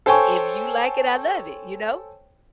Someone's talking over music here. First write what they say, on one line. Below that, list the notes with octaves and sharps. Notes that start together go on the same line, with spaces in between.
"if you like it, I love it." You know?
A4 C5 C#5 G5 G#5 C#6